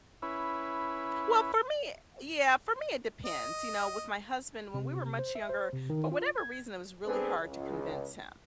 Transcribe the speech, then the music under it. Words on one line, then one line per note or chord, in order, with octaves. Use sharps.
Well, for me, uh, yeah, for me it depends, you know, with my husband, when we were much younger, for whatever reason, it was really hard to convince him.
C#4 E4 B4
D#5
C3
C5
E5
C5
C3
D#3
F4
G#6
B3 C4 D4 G#4 A4 B4
C#2